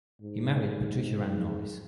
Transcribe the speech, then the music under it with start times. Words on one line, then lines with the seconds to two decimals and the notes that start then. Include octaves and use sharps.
He married Patricia Ann Norris.
0.22 G#2